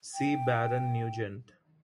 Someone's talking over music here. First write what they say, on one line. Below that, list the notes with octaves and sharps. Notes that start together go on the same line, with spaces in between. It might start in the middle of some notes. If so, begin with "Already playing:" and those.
See Baron Nugent.
G5